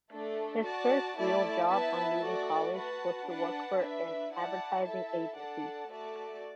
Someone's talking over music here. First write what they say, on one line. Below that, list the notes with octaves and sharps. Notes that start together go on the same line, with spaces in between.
His first real job on leaving college was to work for an advertising agency.
A3 D4 A4
F#4 D5 A5
A3 E4 D5 A5
B3 E4 B4 E5 A5
A3 F#4 A4 D5
F#4 B4 F#5 A5
D4 B4 F#5 A5
D4 B4 E5
E4 D5 F#5 A5
E4 A4 E5 A5
D4 A4 D5 F#5 A5
A3 F#4 A4 D5 A5